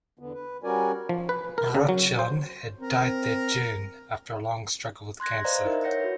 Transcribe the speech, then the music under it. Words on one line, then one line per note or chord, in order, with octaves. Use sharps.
Rochon had died that June after a long struggle with cancer.
E2 D3 B3
B4
G3 C#4 F#4 A#4 D5 G#5
F3
B4
A#4
C#3
F#3
C5
C4 A#4
C6 F#6 G#6 A#6
B4 C5 D5 D#5 F5 A#5
D#4 E4 A#4 E5
C#5 F#5 G6 A#6 C#7
F#4 B4